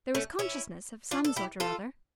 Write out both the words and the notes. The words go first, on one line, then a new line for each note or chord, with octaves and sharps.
There was consciousness of some sort or other.
A3 C#4
C#4 E4
D4 F4
A4
E4 G4
F4 A4